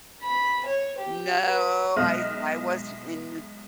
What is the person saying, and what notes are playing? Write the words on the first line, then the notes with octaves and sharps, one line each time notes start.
No. I I wasn't in
B5
C#5
G4
B4
B1 G#3 D#5 E5 F6 F#6